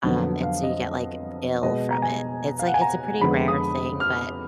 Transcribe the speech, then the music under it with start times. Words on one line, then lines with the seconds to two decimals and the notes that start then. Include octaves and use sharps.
Um, and so you get, like, ill from it. It's like it's a pretty rare thing, but,
0.04 F2 D3 F#3 B3
0.43 F5
0.63 D#5
1.63 B2 G#3 B3 D#5
1.91 A#5
2.02 G#5
2.59 F5
2.67 F#5
2.74 G#5
2.81 A#5
3.21 F2 D3 G#3 B3 B5
3.48 D#6
4.00 F6